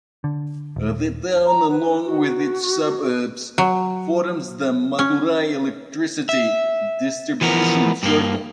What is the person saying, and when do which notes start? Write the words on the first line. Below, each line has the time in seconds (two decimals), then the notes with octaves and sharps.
The town along with its suburbs forms the Madurai Electricity Distribution Circle.
0.24 D3
0.76 D#1
1.46 A#5
1.70 B4
2.05 F#4
3.58 F#3
4.99 C#4
6.29 E5
7.41 E3 F3 B3 A#4
8.03 G2 A#3